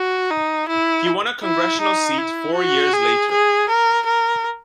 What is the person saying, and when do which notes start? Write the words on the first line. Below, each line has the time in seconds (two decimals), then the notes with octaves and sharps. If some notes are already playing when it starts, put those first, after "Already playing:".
He won a congressional seat four years later.
Already playing: F#4
0.30 D#4
0.68 E4
1.43 E4
1.81 D#4
2.18 E4
2.55 F#4
2.94 G#4
3.31 G#4
3.69 A#4
4.06 A#4